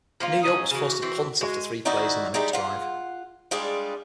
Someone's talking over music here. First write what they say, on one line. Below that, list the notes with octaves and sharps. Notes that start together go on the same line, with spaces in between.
New York was forced to punt after three plays on their next drive.
F3 A#3 F4
F#3 C#4 D#4 D#6
C#3 E3 F#4
E3 C4
G#3 F#4
D#3 D#4 E4 F#4 D5 D#5
G3 G#3 D#4 E4 G4
F4 F#5
G3 G#3 D4 F4 G#4 D5